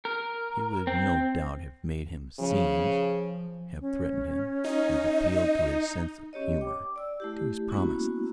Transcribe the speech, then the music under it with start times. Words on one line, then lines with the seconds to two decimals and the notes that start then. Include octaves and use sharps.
She would no doubt have made him scenes, have threatened him, have appealed to his sense of humour, to his promises.
0.05 A#4
0.87 C4
2.40 C#3 F3
3.81 C#4
4.64 D#4 D#5
6.33 C#4 G4 C#5 D#5
6.61 G5 D6
6.96 D5 E6
7.20 A3 E4 G4
7.69 G#3 A#3 B3 C#4 E4 F#4